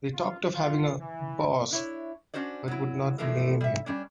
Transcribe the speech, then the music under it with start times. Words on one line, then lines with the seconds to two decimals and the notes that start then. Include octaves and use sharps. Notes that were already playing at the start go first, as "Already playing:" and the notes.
They talked of having a "boss" but would not name him.
0.14 F4
0.53 F4
0.99 E3
1.71 D4 E4 C#5
2.34 C#4 D4 F#4 C5 D5
2.68 F#3 E4
3.18 A2 E3 F3 A3 D4 A#4
3.61 G3 E5
3.86 G3 C#4 D4